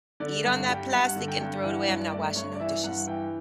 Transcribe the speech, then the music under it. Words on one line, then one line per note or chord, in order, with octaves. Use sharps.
Eat on that plastic and throw it away. I'm not washing no dishes.
D3 D5
G2 F#5
G3 G5
G2 F#5
D3
G5
G2
E3 F#5
G2 D5
A3 D5
G2 C#5
D5
E3 E5
G2 F#5
E3 G5